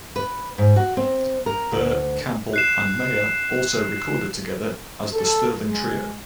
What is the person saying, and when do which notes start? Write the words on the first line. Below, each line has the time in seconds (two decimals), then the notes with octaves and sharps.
Burr, Campbell and Meyer also recorded together as the Sterling Trio.
0.16 B4
0.58 G#2
0.76 F#4
0.97 C4
1.46 A#4
1.72 D2
2.53 F#6 C7 E7
5.14 A4
5.67 G#3